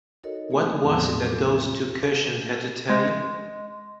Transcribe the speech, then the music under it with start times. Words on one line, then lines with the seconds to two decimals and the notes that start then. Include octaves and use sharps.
What was it that those two cushions had to tell you?
0.23 D#4 F#4 A4 A#4 C#5 D#5
0.51 A3 A#3 D#4 G#4
0.81 E2 A2 F3 F#3 B3 C4
1.26 F4 G4 A4 D6
2.90 G#3